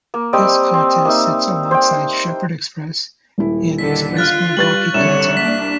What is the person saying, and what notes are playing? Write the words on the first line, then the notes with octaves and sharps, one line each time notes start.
This content sits alongside "Shepherd Express" and Express Milwaukee content.
A#3
G3 C4 D#5 G5
C4
A#3 D#4 E5
C5 G5
D#1 E4
D3 D#3 A4 B6
F4 F6 F#6 A6
G3 B4 C#6 A6 F#7
C2 D3 C#5 E7
A#3 D4 B6